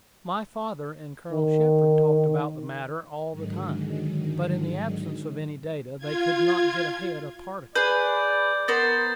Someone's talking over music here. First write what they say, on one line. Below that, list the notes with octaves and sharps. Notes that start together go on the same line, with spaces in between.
My father and Colonel Shepard talked about the matter all the time; but in the absence of any data they could not get ahead a particle.
D#3
G#2 D3 D#3 F#3 G#3
F4 G#6
G#4 B4 D5 G6
B3 A#4 C5 A6